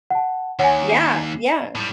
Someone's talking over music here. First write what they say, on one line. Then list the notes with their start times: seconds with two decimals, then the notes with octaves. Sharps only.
Yeah, yeah,
0.10 F#5 A5
0.59 D#2 C#5 F#5 G#5
0.90 D4 C7
1.75 A2 G3